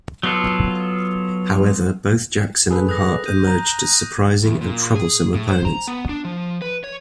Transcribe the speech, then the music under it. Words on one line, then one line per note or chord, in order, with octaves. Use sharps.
However, both Jackson and Hart emerged as surprising, and troublesome, opponents.
F#3 B3 F4 A4
G#4 A4 B4
D#6 F#6 A#6
G6 D#7
A#5 G6
E2
A#2
G#4
A2
C5
A#5
B3
D4
F3
B4
C#5